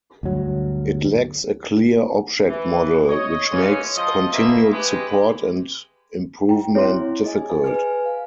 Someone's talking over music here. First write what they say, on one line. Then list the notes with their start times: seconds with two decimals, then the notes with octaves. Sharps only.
It lacks a clear object model, which makes continued support and improvement difficult.
0.23 D2 G2 F#3
2.48 E3
3.09 C#5 D#5
3.51 E3 G#3 A#3 C#4
3.95 F3 D#5
4.33 B2 A3 A#3 G#4 E5
4.72 G#3 G4 B4
6.49 E4 G5
6.75 C4 E4 C#5 E5 C6
7.24 G#4 D#5 G#5
7.64 B4 G#5 F6
8.06 F5